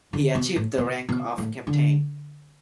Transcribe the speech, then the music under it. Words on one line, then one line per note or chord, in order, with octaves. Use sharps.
He achieved the rank of captain.
D3
B2
A2
B2
B2
A2
D3